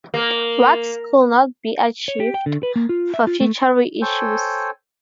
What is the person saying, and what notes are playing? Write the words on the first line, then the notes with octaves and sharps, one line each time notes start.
Wax could not be archived for future reissues.
A#3
C#5
G4
G5
D3
B4
A#3
F4
E5
F4
A3
A4 C5 C#5 G5 G#5